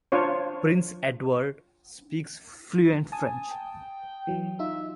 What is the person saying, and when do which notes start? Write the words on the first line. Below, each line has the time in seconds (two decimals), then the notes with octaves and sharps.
Prince Edward speaks fluent French.
0.12 D4 F4 C5 C#5
3.12 G#5 A5 D#6
3.51 G5
4.27 E3 F#3
4.59 D#4 F4 E5